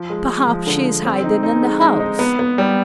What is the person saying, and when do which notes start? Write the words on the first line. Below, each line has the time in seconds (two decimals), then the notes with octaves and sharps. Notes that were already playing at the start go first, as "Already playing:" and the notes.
"Perhaps she is hiding in the house."
Already playing: F3
0.10 G#3
0.29 G#3
0.47 F3
0.67 D3
0.86 D3
1.05 C4
1.24 D#4
1.43 D#4
1.62 G#3
1.81 G#3
2.00 D#4
2.19 B3
2.39 B3
2.58 G3